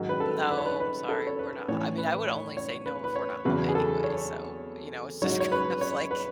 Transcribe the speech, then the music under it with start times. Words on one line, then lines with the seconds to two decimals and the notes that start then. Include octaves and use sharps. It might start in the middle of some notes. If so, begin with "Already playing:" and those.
"No, I'm sorry, we're not h" I mean, I would only say no if we're not home anyway, so, you know, it's just kind of, like,
Already playing: G#2 D#3 F#3
0.09 B4
0.20 A4
0.51 B4
0.58 C#5
0.66 B4
0.80 B4
1.09 A4
1.27 C#5
1.39 B4
1.68 A2 E3 C#5
1.98 B4
2.27 C#5
2.57 C#5
2.86 B4
3.04 B4
3.16 C#5
3.45 E2 C#3 F#3 B4
3.68 G#4
3.75 A4
4.04 C#5
5.22 G#2 F#3 C#5
5.40 C#5
5.52 B4
5.81 C#5
6.11 B4